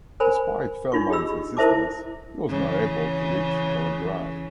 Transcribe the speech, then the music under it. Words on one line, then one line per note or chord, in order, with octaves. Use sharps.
Despite Felman's insistence, he was not able to reach Belgrade.
A#4 C5 G#5 B5
D4 D#4 F4 C#6
G4 G#4 D#5 B5 E6
E4 A#4 C5 E5 A5 D6
C#3 E3